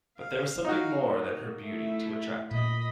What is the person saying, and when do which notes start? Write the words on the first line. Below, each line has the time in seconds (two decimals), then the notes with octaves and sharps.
But there was something more than her beauty to attract him.
0.18 F5
0.65 D#4 F#4 F5
1.04 A#3
1.63 A3 E4
2.51 A#2 D#5 B5